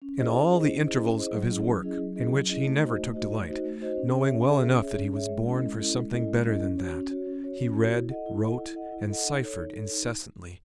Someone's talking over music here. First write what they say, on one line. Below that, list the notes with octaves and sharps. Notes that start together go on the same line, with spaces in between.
In all the intervals of his work--in which he never took delight, knowing well enough that he was born for something better than that--he read, wrote, and ciphered incessantly.
C#4
E4 G#4 C5 D#5
C#4
E4 G#4 C5 D#5
C#4
E4 G#4 C5 D#5
C#4
E4 G#4 C5 D#5
F#3
C#4 E4 G#4 D#5
F#3
C#4 E4 G#4 D#5
F#3
C#4 E4 G#4 D#5
F#3
C#4 E4 G#4 D#5
A3
D#4 F#4 C5 D#5
A3
D#4 F#4 C5 D#5
A3
D#4 F#4 C5 D#5
A3
D#4 F#4 C5 D#5
C#4
G#4 C#5 E5
C#4
G#4 C#5 E5
C#4
G#4 C#5 E5
C#4
G#4 C#5 E5
G#3
C#4 E4 A4 D#5
G#3
C#4 E4 A4 D#5
G#3
C#4 E4 A4 D#5
G#3
C#4 E4 A4 D#5
C#4
F#4 C#5
C#4
F#4 C#5
C#4
F#4 C#5
C#4
F#4 C#5
E4
A4 D#5 F#5
E4
A4 D#5 F#5
E4
A4 D#5 F#5
E4
A4 D#5 F#5
D#4
A4 C#5
D#4
A4 C#5
D#4